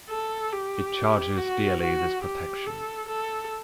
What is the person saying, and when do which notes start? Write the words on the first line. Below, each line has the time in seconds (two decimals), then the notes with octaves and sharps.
It charges dearly this protection.
0.10 A4
0.53 G4
1.38 F#4
1.81 F#4
2.23 G4
2.66 A4
3.09 A4